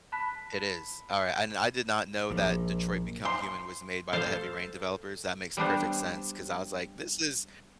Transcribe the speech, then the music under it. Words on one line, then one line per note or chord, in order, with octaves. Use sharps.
It is, alright, I no I did not know that Detroit: Become Human was made by the Heavy Rain developers, that makes perfect sense 'cause I was like, "This is
A5 B5 F#6 B6
A#1
C6
A4 C5 F5
G3 B3 D4 C5